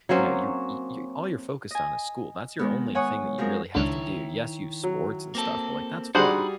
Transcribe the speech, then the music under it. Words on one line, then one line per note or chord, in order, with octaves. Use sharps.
you know, you're, y y all you're focused on is school, that's your only thing that you really have to do. Yes, you have sports and stuff, but, like, that's fun.
F#3 A#3 C4 C#4
D#5 G#5
D#3 G#3 B3
C#5 F#5 G#5 C#6 D#6
F3 F#3 G#3 C4 A#4
C#2 D3 D#3 E4 C#5
F#3
A#3 C4 A4
G3 D4 D#4 F#4 G#4 C5 F#5 B5